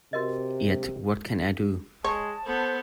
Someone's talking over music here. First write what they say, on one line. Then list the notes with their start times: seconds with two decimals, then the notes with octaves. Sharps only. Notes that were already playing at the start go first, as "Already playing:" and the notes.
Yet what can I do?
0.13 C3 F#4 A#4 D#5
2.04 G#3 C#5 A5
2.44 B3 A4 C5